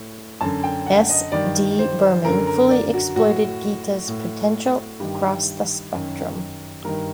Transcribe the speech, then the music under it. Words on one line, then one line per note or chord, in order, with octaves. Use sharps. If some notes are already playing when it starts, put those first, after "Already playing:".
S D Burman fully exploited Geeta's potential across the spectrum.
Already playing: A2
F#2 D3 A5
G5
F#5
D#5
G2 D#3 D5
C5
F#2 D3 A#4
A#4
D5
F#4
A2 F#4
A2
G2 D#3 G4
F#2 D#3
G2 D#3 A#4